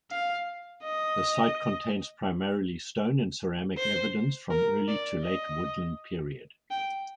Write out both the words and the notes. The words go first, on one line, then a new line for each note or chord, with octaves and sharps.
The site contains primarily stone and ceramic evidence from Early to Late Woodland period.
F5
D#5
C5
A#4
D5
D#5
G5